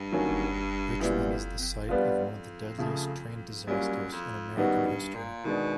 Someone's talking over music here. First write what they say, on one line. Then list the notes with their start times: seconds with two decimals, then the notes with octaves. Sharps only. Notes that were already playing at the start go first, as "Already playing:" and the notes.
Richmond is the site of one of the deadliest train disasters in American history.
Already playing: G2
0.12 D#3 F#3 A#3 C#4
1.00 F#2 A#2 G3 B3 E4
1.30 F2
1.59 F2
1.89 G3 B3 D4 F4
2.78 C#3 F3 A3
3.67 F#2 G3 A#3 C#4 F4
4.12 F2
4.56 F#2 D#3 G3 B3 D#4 F#4
4.86 G2
5.15 A#2
5.45 B2 D#3 G#3 B3 D4